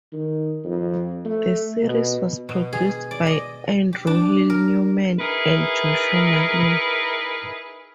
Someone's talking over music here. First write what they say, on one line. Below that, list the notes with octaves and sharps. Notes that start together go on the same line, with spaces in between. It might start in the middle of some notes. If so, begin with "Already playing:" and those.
The series was produced by Andrew Hill Newman and Joshua Malina.
D#3
F2
A3
B2
B2
G#4
D5
D#5
G4
D4
A#4
D#4 E4 G#4 A#4 B4